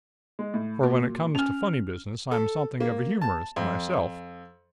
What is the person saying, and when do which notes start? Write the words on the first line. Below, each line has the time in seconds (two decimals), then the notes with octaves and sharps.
For when it comes to funny business I'm something of a humorist myself.
0.39 G#3
0.54 A2
0.83 A#2 F#4
1.35 C#4 G#5 F6 F7
2.31 A4
2.80 A#3
3.21 A5
3.56 F2